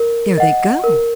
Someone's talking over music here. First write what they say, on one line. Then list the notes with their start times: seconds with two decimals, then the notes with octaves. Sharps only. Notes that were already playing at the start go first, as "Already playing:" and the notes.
"There they go!"
Already playing: A#4
0.38 D#5 F#5
0.84 A#4